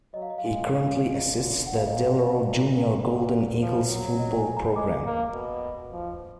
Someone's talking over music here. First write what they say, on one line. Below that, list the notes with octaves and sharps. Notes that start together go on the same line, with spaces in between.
He currently assists the Del Oro Junior Golden Eagles football program.
F#3 D#5
F5
D#5
F5
G#3 D#5
G#3 F5
D3
F#5
F5
A#2 D#5
A#2 D5
A#2
A#2
F3
F#3
D#5
G#5
A#5
G#3 D6
A#3
B2
F3